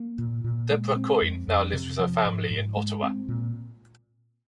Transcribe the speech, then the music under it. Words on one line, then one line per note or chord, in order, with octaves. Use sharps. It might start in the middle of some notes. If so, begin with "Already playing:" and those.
Deborah Coyne now lives with her family in Ottawa.
Already playing: A#3
A#2
A#2
G#3
C4
F2
F2
C3
F3
G#2
G#2
G#3
C4
A#2